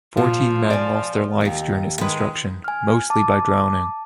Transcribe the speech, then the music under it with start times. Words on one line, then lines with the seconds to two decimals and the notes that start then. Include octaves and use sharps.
Fourteen men lost their lives during its construction, most by drowning.
0.17 A#2 F3
0.70 D5 G#5
1.41 D#2 D#4
2.01 D#3 G#3 B4
2.64 G#5 F6
3.10 A5 D6